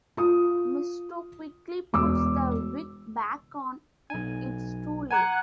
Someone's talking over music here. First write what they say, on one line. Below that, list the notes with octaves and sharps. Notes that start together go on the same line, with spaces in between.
Mysto quickly puts the wig back on, but it's too late.
F4 D#6
E1 D6 E6
B1 G#5
D#5 F#5 G#5 A#5 D6